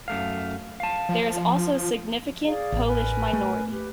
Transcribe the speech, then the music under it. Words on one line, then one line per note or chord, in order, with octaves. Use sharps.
There is also a significant Polish minority.
F#2 A3 F5
F5 A5
F3
G#4 D5 F5
A1
A#4 B4 G#5
A3
G4 B4